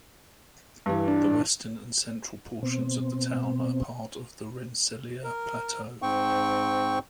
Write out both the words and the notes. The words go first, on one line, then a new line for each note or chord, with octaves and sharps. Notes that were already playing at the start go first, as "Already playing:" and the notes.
The western and central portions of the town are part of the Rensselaer Plateau.
G2 E3
D4
B2 C4
A#4
G#2 C4 G5 C#6